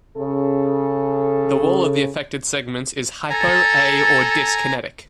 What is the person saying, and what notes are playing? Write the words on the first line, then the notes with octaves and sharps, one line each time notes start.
The wall of the affected segments is hypo-, a-, or dyskinetic.
C#3 A4
A4 G#5 A#5